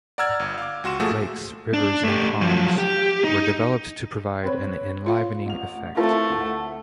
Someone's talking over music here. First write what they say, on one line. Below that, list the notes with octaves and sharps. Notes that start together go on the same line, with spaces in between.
Lakes, rivers and ponds were developed to provide an enlivening effect.
D5 F#5 A#5 E6 F6 G#6
G1
F5 D6
C#2 F#4 C6 E7
A#2 F3 A3 F#4 G#4
D4
A3 G4
F3 F#3
G4
D#4
C4 B4 C#5
F4 F5
A1 F7
A3 C4 E4 F4 A4 A#4 F5
D2